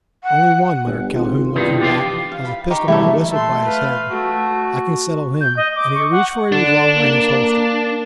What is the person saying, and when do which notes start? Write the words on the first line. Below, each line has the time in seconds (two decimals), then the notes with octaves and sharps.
"Only one," muttered Calhoun, looking back, as a pistol-ball whistled by his head; "I can settle him," and he reached for a revolver in his holster.
0.24 F#5
0.86 G1
1.13 G#1 F4
1.56 E2 G2 C3 D#3 D#4
1.81 D3 F3 F4 G4
2.32 F5
2.45 B5
2.70 D#4 G4 C#6
2.88 E3 G3 A3 E4 G4 A4
3.30 A3 A4 C6
3.64 B4 F5
4.10 A3 F#4
5.41 G6
5.56 D#5
5.75 D6
5.94 C#6
6.11 F#5
6.52 D3 D4
6.97 A#3